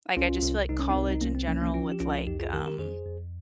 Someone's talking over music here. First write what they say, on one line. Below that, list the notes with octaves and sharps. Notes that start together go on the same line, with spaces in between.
Like, I just feel like college in general with, like, um,
C2 C#4 F4
C2
C2 D#4
C#4
C4 D#4
C2
D#4
C2 A#3 C#4
C4
F3 A#3 C#4
A#3 C#4
F3 C#4 F4
G4
C2 C#4 F4
F2 D#4 G4
F4 G#4
D#3 G4 A#4
G4 A#4
F2 G#4 C5
F2